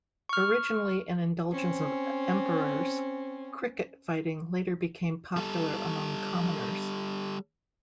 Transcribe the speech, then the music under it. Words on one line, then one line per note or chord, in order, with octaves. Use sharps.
Originally an indulgence of emperors, cricket fighting later became popular among commoners.
C#6 F6
C4 C#4
G3 A4